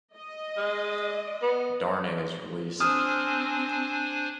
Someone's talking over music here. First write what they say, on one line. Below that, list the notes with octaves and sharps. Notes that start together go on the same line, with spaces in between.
Darnay is released.
D#5
G#3
B3
C4 D4 C5 G#5 D#6 F6